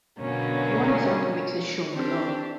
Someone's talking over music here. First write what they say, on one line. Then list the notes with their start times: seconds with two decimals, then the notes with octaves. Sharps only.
One example mix is shown below.
0.20 B2 D3 F#3 A#3 C#4
1.92 C4 D4 G4